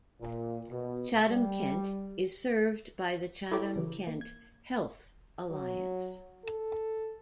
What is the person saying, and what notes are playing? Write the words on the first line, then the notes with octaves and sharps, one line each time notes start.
Chatham-Kent is served by the Chatham-Kent Health Alliance.
A#2
B2
G3
E4 G4 A4 C#5 A#5 D6
C#3 E3
A#3
G#6
F#3
A4